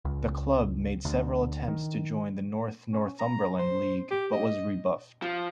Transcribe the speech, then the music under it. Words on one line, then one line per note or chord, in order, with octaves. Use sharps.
The club made several attempts to join the North Northumberland League but were rebuffed.
C#2
D2
D#3
C#4
A#5
C5
G4
D#5
F3